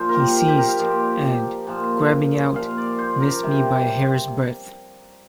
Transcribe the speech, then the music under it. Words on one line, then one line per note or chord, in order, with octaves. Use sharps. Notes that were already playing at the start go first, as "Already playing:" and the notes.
He ceased, and, grabbing out, missed me by a hair's breadth.
Already playing: A#2 F3 C5
A#4
G4
G4
G4
A#4
F5
A#2 F3 D5
A#2 F3
A#2 F3 F5
D5
C5
A#4
C3 G3